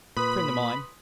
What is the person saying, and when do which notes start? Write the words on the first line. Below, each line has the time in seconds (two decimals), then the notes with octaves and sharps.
Friend of mine.
0.17 A#2 B4 B5 C6 D#6